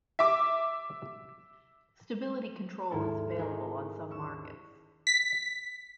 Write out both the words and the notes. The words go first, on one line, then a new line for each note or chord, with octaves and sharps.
Stability control is available on some markets.
E5 D6
D#2 G#2 D#4 E4 A4 C5
D4 D#4 G#4 A#4 C5 D#5
D#2 C#4 C#6 E6
B6